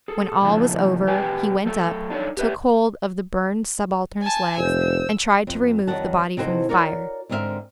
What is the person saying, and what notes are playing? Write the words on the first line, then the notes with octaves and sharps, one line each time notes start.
When all was over, he went up, took hold of the burned subaltern's legs, and tried to remove the body from the fire.
G#4 A4
A#2 C#3 F3 A3 E4
B2 G4 B4 G5 G#5
F#2 A3 A4
D4 D#4 A4 C5 C#5
G4 B4 E5
G#5 A5
F1 C5 E6
F2
F2 D#3 G3 C#5 F#5 A5
C3 E3 D#4 F#4 A4 C5
F#4 A#4 C#5 D5
G#2 D3 C4 D#4 A#4 E5